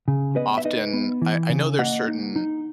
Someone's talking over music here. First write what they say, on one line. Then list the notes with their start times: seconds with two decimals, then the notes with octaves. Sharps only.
often, I I know there's certain,
0.08 C#3
0.36 B3 B4 D#5
0.58 E5
0.65 D#4 B4 D#5
0.93 B3
1.22 E3
1.50 C#3
1.79 A#3 D#5 F#5
2.08 D#4
2.36 D#4